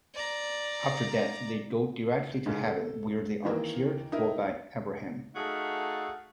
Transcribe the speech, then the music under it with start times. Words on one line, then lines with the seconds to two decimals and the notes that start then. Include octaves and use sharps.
After death they go directly to Heaven, where they are cared for by Abraham.
0.15 D5 A#5
2.46 G#2 C#3
2.67 A4
3.44 D#3 E3 A#3
4.12 D#4 E4 A#4
5.35 A3 D#4 F#4 G#4 A4 F5